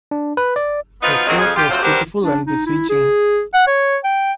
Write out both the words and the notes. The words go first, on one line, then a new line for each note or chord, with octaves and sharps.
Her face was pitiful and beseeching.
D4
B4
D5
F3 F#3 B3 D#4 F4 B4
D#3 F#3 G#3 A#3 C4 C#4
F2 G#4
F4 G4
D2 C3 F3 F#3 C5
G2 D4 F#4 G4 A#4 C5
D4
D#4
E4
G#4
F#5
C#5
G5